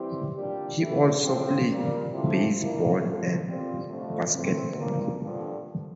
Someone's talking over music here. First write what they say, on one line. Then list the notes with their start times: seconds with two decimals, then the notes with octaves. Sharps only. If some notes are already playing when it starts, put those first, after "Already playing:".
He also played baseball and basketball.
Already playing: E3 G3 C4 E4 G4
0.36 A#2 G3 D4 G4
0.80 E3 A3 E4
1.24 A2 F3 C4
1.68 A#2 G3 A#3
2.12 C3 F3 A3 C4 E4
2.57 G2 F3 A#3 E4
3.00 E2 C3 F3 A3 E4
3.45 A#2 G3 C4 F4
3.89 F2 D3 F3 A3
4.33 E3 A3 C4
4.77 G2 F3 A#3
5.21 G2 D3 F3